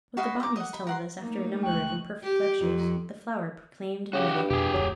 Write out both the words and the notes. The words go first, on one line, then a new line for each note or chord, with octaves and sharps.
What the botanist tells us after a number of imperfect lectures, the flower proclaimed in a minute.
F#4 B4 D#5 F5
A#5 D6
D#5 F#5
B5
A#4 F#5 C6
A3 A#3 D#4
C#2 G#3 G5 C#6 F#6
G4
F2
C#3 F#4 G4
G2
F2 B2 G4 G#4
D1 G#1 F2 F#3